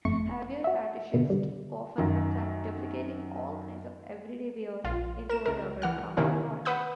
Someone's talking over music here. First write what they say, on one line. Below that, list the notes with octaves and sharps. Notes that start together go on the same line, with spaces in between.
Heavier fetishists often attempt duplicating all kinds of "everyday wear" into a rubber counterpart.
G1 F2 A3 C#6
F#4 E5
B2 D3
D3 G3
F#2 D#3
A#1 F4
A#4 E7
C#2 A#4
E3 F#5 F6
C3 D#3 A#3 C#4 E4
B4 F#5 D#6 E6 G6